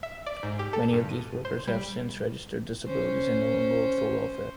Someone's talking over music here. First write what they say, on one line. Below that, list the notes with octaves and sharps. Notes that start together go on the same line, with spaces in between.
Many of these workers have since registered disabilities and enrolled for welfare.
E5
D5
G#2
G4
A4
G2
D#7
C5
G3
C#4 C5